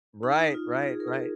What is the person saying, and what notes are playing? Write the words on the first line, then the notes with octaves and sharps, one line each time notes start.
Right, right, right.
D#4
F4
G#4
A#4
G#4